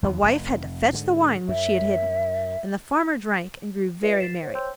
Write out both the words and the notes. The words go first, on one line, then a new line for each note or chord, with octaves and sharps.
The wife had to fetch the wine which she had hidden, and the farmer drank and grew very merry.
E2 D#3 F3
F1
G#2 D3
F#2 E5
F4 B4 D5 E5 C#7
A6 B6 C7 E7
C5 C#5
C5 C#5 G5 C6 E6 G6